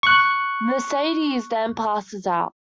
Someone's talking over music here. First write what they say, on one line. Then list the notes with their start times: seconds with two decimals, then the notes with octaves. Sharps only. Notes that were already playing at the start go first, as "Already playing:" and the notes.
Mercedes then passes out.
0.03 C#6 F#6